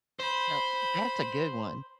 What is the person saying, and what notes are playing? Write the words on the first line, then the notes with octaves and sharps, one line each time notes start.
No that's a good one.
C5 B5